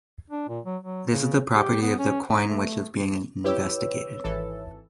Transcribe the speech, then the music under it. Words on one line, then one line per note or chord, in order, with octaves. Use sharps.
This is the property of the coin which is being investigated.
D4
A#2
F#3
F#3
C#3
G4
B3
C#4
D#4
A3
E4 G4 B4 C#5 E6
G#1 E3 A4